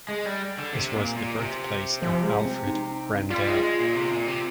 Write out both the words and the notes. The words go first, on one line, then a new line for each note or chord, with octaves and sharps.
It was the birthplace of Alfred Brendel.
G#3
G3
D3
C3
A#2
A#2
C3
F3
G#3
C4
D#4
G3 F4
G#3
G#3
A#2
C3
A#2
C3